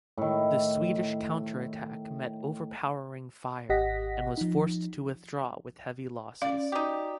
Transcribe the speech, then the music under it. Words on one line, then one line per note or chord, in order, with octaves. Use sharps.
The Swedish counterattack met overpowering fire and was forced to withdraw with heavy losses.
A2 D#3
G#1 G4 D#5 F#5 A#6 B6
F3 D#4
C#4 D5 F5
D#4 F#4 G4